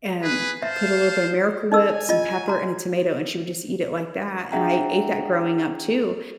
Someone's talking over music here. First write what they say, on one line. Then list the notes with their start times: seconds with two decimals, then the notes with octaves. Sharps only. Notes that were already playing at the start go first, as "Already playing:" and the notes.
and put a little bit of Miracle Whip some pepper and a tomato and she would just eat it like that and I ate that growing up too.
0.22 G#4 B4
0.62 C5 E5 F5 A5
1.72 D#4 D#5 G#5 E6
2.09 F4 D#5
2.48 F#4 A#5
4.52 D4 G#4 E5 F#5 G5 A#5